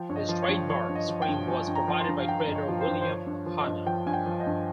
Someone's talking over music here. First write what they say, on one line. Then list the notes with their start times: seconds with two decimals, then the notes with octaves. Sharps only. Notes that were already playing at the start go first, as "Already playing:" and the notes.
His trademark scream was provided by creator William Hanna.
Already playing: F3 G5
0.09 G2 C#5
0.16 D#5
0.29 F3
0.42 C#5
0.49 G2
0.70 F3 C#5
0.89 G2
0.95 D#5
1.09 F3
1.22 G5
1.29 G2
1.48 F3 G#5
1.68 G2
1.75 A#5
1.88 F3
2.01 C6
2.08 G2
2.20 F5
2.28 F3 G5
2.47 G2 D#5
2.55 C#5
2.68 F3
2.81 C5
2.87 G2
3.01 C5
3.07 F3 C#5
3.27 G2
3.33 C#5
3.46 F3
3.60 D#5
3.67 G2
3.86 F3 G5
4.06 G2 G#5
4.13 G5
4.26 F3
4.40 D#5
4.47 G2